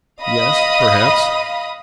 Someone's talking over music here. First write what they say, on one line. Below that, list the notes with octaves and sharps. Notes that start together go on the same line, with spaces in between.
"Yes, perhaps."
D#5 F5 B5 D#6